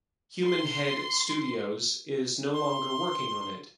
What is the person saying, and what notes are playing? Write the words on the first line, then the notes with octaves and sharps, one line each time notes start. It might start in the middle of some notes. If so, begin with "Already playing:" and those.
Human Head Studios is no longer working on it.
C6
C6